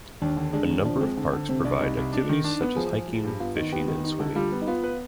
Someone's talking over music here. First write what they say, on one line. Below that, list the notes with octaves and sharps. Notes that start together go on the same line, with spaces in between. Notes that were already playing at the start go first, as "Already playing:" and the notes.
A number of parks provide activities such as hiking, fishing and swimming.
D#2 D4
D3
G#3 D4
D#2
F3 D4
G#3 C4
D3
D3
C3 C4
C2 D4
C2 D#4
C2
D4
D#3
D4
B3
F3 G#4
F3
F3
G2
B3 F4
D#3 D#4
B3 G4
D#3
D#4
D3
G3 F4
B3
D#4
B3 F4
B4